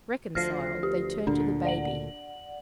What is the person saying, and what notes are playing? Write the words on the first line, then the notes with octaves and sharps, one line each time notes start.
Reconciled, they turned to the baby.
D2 F3 F6 A#6 C7
G4
D2 A#2 D3 D4
D5 F#5 F#7